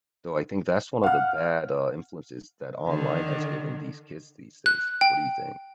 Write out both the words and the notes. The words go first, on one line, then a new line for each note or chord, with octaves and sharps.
So, I think that's one of the bad, uh, influences that online has given these kids these days. What do you think?
F5 F#5 F6
D3 D#3
F#6
G5